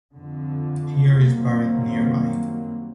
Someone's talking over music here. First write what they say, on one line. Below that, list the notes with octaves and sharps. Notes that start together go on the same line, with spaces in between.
Heer is buried nearby.
F2 D3
F#2 D#3 F#3 G3 A#3 C4